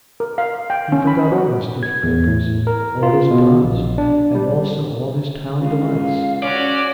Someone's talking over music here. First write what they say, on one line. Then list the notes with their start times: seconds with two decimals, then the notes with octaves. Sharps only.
He forgot all his difficulties, all his duns, and also all his town delights.
0.20 A#4
0.38 F5
0.70 G5
0.92 C#4
1.07 B5
1.32 F#4
1.83 G#6
2.03 E2
2.27 A2
2.67 A#4
3.03 F4
3.31 B2
3.64 A#1
3.98 D4
4.35 G3
5.61 C#2 F5
6.42 C#4 F#4 C#5 D5